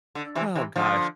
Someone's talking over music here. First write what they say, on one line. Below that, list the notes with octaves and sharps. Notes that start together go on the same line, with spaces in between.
Oh, gosh.
D3
C3 E3
C3 E3
D3 F3